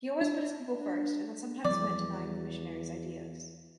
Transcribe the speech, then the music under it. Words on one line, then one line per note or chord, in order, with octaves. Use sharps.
He always put his people first, and that sometimes meant denying the missionaries' ideas.
D4
E2 F3 G3 D5